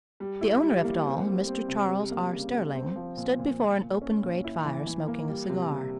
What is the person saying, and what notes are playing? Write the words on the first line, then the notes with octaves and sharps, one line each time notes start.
The owner of it all, Mr. Charles R. Sterling, stood before an open grate fire smoking a cigar.
G3
E4
G3
A#3
C4
G3
C4
C3
G3
A#3
C#3
C#3
C4
F3
A#2
A#2
A#2
A#2
C#4
A#2
E4
E3
E3
A#3
G3
C3
C3